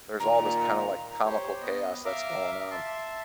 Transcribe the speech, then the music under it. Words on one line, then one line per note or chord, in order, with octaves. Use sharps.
there's all this kind of like comical chaos that's going on.
A#2 D#3 A#5
G4 C5 C#5
B3 D#5
E5 F5 A#5 D6
E5 A5 C6